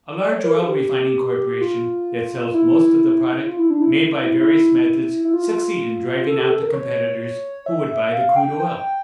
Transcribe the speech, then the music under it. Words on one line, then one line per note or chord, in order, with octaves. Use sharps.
A large oil-refining corporation that sells most of the product may by various methods succeed in driving out the competitors who would buy the crude oil.
D5
C#5
A#4
A4
F4
G4
F4
E4
F4
E4
D4
E4
E4
E4
F4
A4
G4
A4
A#4
C#5
E5
F5
G5
G5